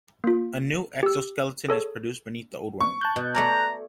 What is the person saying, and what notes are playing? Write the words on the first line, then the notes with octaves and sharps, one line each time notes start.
A new exoskeleton is produced beneath the old one.
A#3 F4
G4 E6
G#4 A4 C#5
C#6
A5 F#6 G6
B2
A3 D5 G#5 A#5